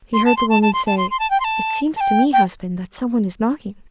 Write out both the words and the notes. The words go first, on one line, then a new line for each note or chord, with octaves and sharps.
He heard the woman say, "It seems to me, husband, that some one is knocking."
C6
A5
C6
A5
A5
C6
A5
C6
C6
A5
G5
C6
A5
A5
G5
G5